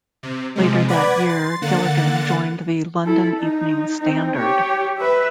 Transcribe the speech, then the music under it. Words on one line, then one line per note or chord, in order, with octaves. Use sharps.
Later that year Gilligan joined the "London Evening Standard".
C3
C3 F3 G#3
B4 D5 F#5 B5 G#6
C6 A6
D3 A#3 F#5 F#6 A6 C#7
E4 A4
D#4
C4 D#4
G4 C#5
B4 E5